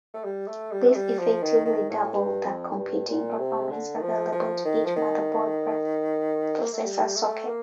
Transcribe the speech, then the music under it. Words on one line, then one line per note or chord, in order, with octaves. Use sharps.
This effectively doubled the computing performance available to each motherboard processor socket.
A3
G3
A3
G3
A3
G3
F3
D#3
D#3
A2
G2
F2
A2
G2
A#2
C3
D3
D#3
F3
F3
D#3
F3
D#3
A#3
A3
G3
A3
A#3